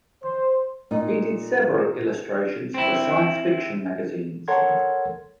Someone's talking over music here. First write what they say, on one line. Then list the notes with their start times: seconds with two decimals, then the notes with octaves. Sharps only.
He did several illustrations for science fiction magazines.
0.23 C5
0.91 A#2 D#4
2.74 C4 E4
4.48 A4 A#4 C#5 F#5 C6 G#6